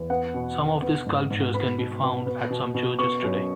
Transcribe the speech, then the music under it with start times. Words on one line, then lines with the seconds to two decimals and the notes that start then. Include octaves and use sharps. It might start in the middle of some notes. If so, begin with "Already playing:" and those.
Some of these sculptures can be found at some churches today.
Already playing: E2
0.10 B3 F#5
0.34 B2
0.58 B2
0.82 B3
1.06 G#2
1.30 G#2
1.54 B3 B5
1.78 B2
2.02 B2
2.26 B3
2.51 B2
2.75 B2
2.99 B3 C#6
3.22 F#2